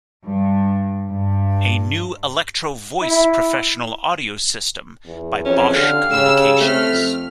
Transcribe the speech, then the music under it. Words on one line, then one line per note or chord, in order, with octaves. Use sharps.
A new Electro-Voice professional audio system by Bosch Communications.
G2
G2
E4
E2
F2 C#4
D3 G4 F5
C#3 E6
A3 C4 F6
F2